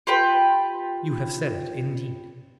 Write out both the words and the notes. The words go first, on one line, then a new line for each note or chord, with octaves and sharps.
You have said it, indeed.
F4 G4 B4 G5